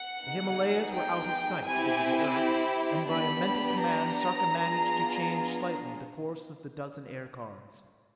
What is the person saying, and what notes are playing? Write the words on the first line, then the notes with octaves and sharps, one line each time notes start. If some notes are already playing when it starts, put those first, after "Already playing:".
The Himalayas were out of sight, over the Earth, and by a mental command Sarka managed to change slightly the course of the dozen aircars.
Already playing: F#5
B3 D#4 G#4
G5
C4 E4 G4 G#5
B3 D4 G4 B5
A#5
B3 D4 F4 G#4